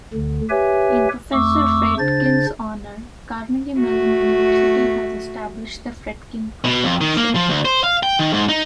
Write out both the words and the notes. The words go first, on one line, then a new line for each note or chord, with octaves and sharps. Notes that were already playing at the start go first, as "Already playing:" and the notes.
In Professor Fredkin's honor, Carnegie Mellon University has established the Fredkin professorship.
D2 D3
G4 B4 C#5 E5 G#5
F2 A3 C#6 D6 E6
C#3 D4 C5 A6
A3 F#4
B2
F2
D#3
A#3
F3
D2
C5
F5
G5
D#3
G#2
D#4